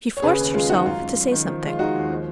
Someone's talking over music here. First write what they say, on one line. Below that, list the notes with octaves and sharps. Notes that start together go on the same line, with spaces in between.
She forced herself to say something.
C#5
C#3 G#4 B4
D#2
G#3 F4 G#4
G#3 D#4 F#4
F#2 F4
F#2
F#2
D#3
F3
G#3 F4
G#3 D#4 F#4
D#2
F3